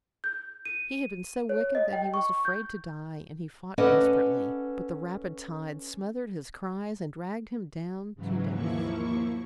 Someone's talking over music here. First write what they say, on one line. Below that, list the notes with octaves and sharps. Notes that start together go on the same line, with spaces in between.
He had been so wicked that he was afraid to die and he fought desperately, but the rapid tide smothered his cries and dragged him down--to death.
G6
D#7
C#5
D#5
G5
C#6
G6
C#4 A4 B4 D5 D#5 F#5
G#2 C#3 E3 F#3
D#2 F3 A#3 E4 C#6